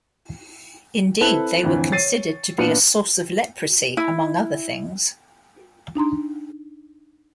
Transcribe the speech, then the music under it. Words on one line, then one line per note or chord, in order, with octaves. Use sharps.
Indeed, they were considered to be a source of leprosy among other things.
C4 E4 A4 B4
F2 A2 D3 E3
C#5 A6 C7 D#7
A#2 B3 D4 C#7
E4
D4 D#4 A#5 C6